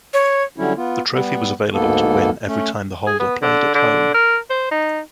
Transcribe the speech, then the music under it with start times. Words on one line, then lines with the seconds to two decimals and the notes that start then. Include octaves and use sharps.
The trophy was available to win every time the holder played at home.
0.14 C#5
0.56 D3 F#3 G3 C#4 E4
0.77 B3 F4
1.13 G3 B3
1.74 D2 G#2 A#3 B3 A4
2.48 A3 C#4
3.07 G#4
3.20 B3
3.42 D3
3.75 D3
4.14 A#4
4.50 C5
4.71 D#4